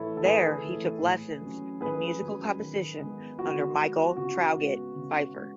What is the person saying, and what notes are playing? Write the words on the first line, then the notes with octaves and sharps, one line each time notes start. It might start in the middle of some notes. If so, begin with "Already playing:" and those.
There he took lessons in musical composition under Michael Traugott Pfeiffer.
Already playing: A2 E3 A3 E4 A4 B4 C#5
A4
A2 G#4 B4
E3
A3
A2
F#3 C#4
A2 G#4 B4
F#3 C#4
D#3
G#3 B3
D#3 F#4
G#3 B3
C#3 F#4
G#3 B3
C#3
G#3 B3